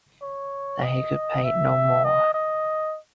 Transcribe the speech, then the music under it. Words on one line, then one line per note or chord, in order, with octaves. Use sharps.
Then he could paint no more.
C#5
D#5
E5
D#5
D#5